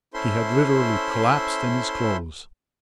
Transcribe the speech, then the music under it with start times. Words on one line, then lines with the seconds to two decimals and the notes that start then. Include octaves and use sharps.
He had literally collapsed in his clothes.
0.14 C#4 E4 A4 C5 E5 C6